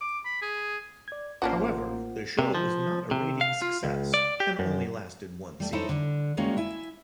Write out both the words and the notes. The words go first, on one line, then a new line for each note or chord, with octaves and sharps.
However, the show was not a ratings success and only lasted one season.
D6
B5
G#4
D5 G#6
A1 A#3 C#4 D4 F4 F#4 C5 F#5
C3
F3
C3
F5
F4
C#2
D5
G4
F#2
G3 A3
D#4 E4 A4 C5 C#5 E5
D3
G3 G#3 A#3 C#4 F#4
E4 E5 G#5